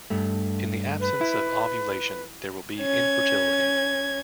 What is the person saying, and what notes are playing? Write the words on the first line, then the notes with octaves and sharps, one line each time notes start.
In the absence of ovulation, there will be infertility.
G2 A3
B4
E4
C#4 G#6